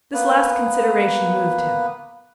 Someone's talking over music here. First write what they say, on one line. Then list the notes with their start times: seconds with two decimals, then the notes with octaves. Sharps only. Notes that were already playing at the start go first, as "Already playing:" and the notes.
This last consideration moved him.
0.14 A#3 B3 B4